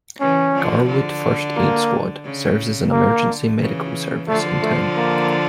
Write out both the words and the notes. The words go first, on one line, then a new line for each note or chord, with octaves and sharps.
Garwood First Aid Squad serves as the emergency medical service in town.
C#3 E3 C#4
D3 F3
D3
A#3
C#3
D3 A#3
C#3 E3
D3 F3 A3
A3
A#3